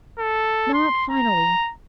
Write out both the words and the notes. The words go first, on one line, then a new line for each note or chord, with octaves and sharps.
'Not finally.
A4
C6
A#5